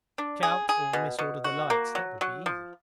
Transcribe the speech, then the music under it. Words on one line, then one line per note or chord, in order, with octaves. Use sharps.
Shout, or mis-order the lights. That would be easy.
D4
G#4
G#4
B2
B2
F#4
A#3
F#3
F#3
F3